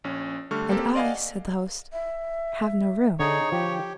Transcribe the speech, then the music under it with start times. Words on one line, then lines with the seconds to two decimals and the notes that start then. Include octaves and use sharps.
"And I," said the host, "have no room."
0.04 A#1 C#4
0.51 D3 G3 A3 C#6 F6
0.70 A#3 C4 G4 A4
0.95 D5 D#5 F5 F#5 G#5
1.92 E5
3.20 D3 D#4 G#4 C#5
3.52 F3 G4 G5